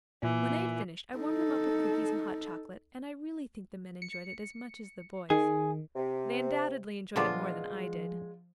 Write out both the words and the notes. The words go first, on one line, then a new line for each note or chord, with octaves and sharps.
When they had finished, I warmed them up with cookies and hot chocolate, and I really think the men enjoyed it as much as the boys; they undoubtedly enjoyed it more than I did.
A#2 E3
D#4 A4
C#7
D#3 G#4
C3
A#2 D3 F3 G#3 A3 B3 D4 F4